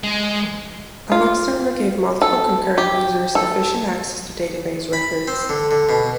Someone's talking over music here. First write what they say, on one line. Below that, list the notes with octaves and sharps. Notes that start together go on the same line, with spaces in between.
A lock server gave multiple concurrent users efficient access to database records.
G#3
F4
A4
G4
A4
B5
C4
D3
D3
B2